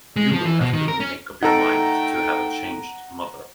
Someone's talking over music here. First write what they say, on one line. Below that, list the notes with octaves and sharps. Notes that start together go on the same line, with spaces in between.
You will have to make up your mind to have a changed mother.
G#3
F3
E3
B2
D#3
A#4
C#4
A3 D#4 A4 F#5 G5 A#5